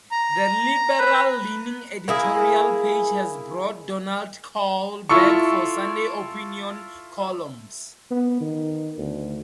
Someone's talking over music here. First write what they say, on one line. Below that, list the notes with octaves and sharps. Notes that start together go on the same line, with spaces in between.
The liberal-leaning editorial page has brought Donald Kaul back for Sunday opinion columns.
A#5
B4
A#3 E4 G#4
E4 F4 A4 C#6
B3
D#3
D2